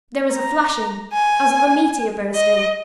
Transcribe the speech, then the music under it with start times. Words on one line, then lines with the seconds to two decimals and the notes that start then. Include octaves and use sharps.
There was a flashing as of a meteor bursting.
0.33 A#5
1.13 G#5
2.35 D#5